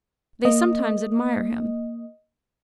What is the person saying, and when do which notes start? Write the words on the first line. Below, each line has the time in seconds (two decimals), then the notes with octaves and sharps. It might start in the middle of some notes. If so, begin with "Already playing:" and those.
They sometimes admire him.
0.45 A#3 D#5